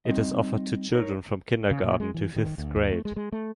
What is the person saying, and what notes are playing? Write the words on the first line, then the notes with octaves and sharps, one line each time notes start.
It is offered to children from Kindergarten to Fifth grade.
G3 C4 D#4 D#5
D#4 A#4 C#5
C#3
A#2
G#3
E3
D#3
D2
D#2
A3
G#3
G#3
A3